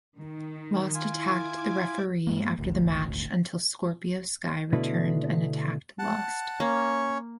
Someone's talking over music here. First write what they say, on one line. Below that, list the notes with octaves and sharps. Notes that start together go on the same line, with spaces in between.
Lost attacked the referee after the match until Scorpio Sky returned and attacked Lost.
D#3
E4 F4 G#5 D6 G#6
G2 G#3 A#3
D#1 G#1 D2
B2 D3 A3 D4 E4 B4
F#5 A5
A#3 C#4 C#5